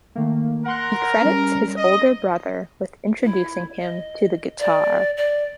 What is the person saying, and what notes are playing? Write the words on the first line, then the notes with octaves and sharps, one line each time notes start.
He credits his older brother with introducing him to the guitar.
D#3 A3 A#3
A#4 F#5 C6 F#6
G3 C#4
D#5
E4
D#5
D5
D5